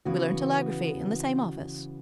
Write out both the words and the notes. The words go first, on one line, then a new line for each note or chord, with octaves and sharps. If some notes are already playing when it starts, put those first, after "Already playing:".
We learned telegraphy in the same office.
C#3 E3 B3 F#4